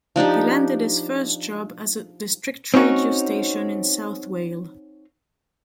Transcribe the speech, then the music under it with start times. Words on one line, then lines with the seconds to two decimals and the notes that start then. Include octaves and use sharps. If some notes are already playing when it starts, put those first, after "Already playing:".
He landed his first job at a district radio station in south Wales.
0.16 F3 D4 D#4 G4
2.74 C4 C#4 D#4 F#4